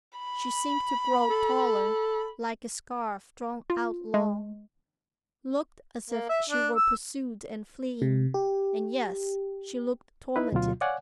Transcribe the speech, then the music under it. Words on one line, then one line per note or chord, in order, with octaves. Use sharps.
She seemed to grow taller, like a scarf drawn out long; looked as if she were pursued and fleeing, and--yes, she looked tormented.
B5
A4
F4
G#3
A#3
E5
D4
E6
C3
G4
D#4 E4 B4
D2 B2 F#3 F4
C#5 D5 F5 F#5 G#5